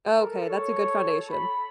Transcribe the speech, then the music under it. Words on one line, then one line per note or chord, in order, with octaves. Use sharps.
Okay, that's a good foundation.
A4 A#4
C#5
B5